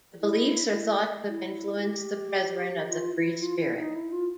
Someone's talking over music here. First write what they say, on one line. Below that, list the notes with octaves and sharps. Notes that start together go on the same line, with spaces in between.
The beliefs are thought to have influenced the Brethren of the Free Spirit.
E4
E4
G4
F4
E4
F4
E4
D#4
E4
F4